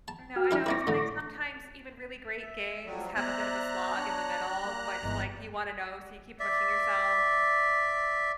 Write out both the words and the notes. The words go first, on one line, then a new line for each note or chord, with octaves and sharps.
No, I know, it's, like, sometimes even really great games have a bit of a slog in the middle, but it's, like, you wanna know, so you keep pushing yourself.
A5
F#4 G5 F6
D4 E4 G4
C4 E4 B4 C#6 D6 A#6
A2 D3
E5
F2 F#3 G3
B3 C5 D5 E5 A#5 F#6
D4 C#5
G3 A#3
G1 E3 G#3
D5 E5